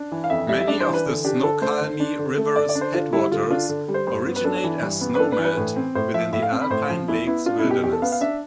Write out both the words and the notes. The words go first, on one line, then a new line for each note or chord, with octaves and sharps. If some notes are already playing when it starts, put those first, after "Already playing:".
Many of the Snoqualmie River's headwaters originate as snowmelt within the Alpine Lakes Wilderness.
Already playing: D4
E3
F5
F2 E5
G3 E5
E5
D4 D5
C5
E3
B4
D3
D4 G4
D3 A4
A3 C5
D3
D4
D3
A3
D3 D5
D5
D4
C5
D3 F4
G3 E4
D3 F4
D4 F4
D3
G3
C5
G2 C5
B3
B4
D4 A4
E3
G2
B3
B4
D4 A4
B4
E3
B4
A2
C4
A2 C5
F3 E5
A2 E5
F5
C4
B5
A2 C5
F3
E2 E4
B3 E4
D4 F4
E4
B2
G4
E2 G4
A4
B3 F5
F5
D4 E5